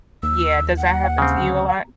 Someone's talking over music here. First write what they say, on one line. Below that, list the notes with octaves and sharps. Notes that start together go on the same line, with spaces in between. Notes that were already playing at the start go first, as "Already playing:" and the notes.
yeah, does that happen to you a lot?
D#2 E6
F#5
C#3 C4
D2